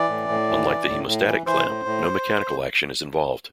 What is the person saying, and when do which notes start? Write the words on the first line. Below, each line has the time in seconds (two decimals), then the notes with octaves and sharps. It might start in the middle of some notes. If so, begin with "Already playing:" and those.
Unlike the hemostatic clamp, no mechanical action is involved.
Already playing: E3 D5
0.09 A2
0.29 A2
0.49 E3
0.68 E3
0.88 A2
1.07 A2
1.27 E3
1.46 E3 C5
1.66 A2
1.85 A2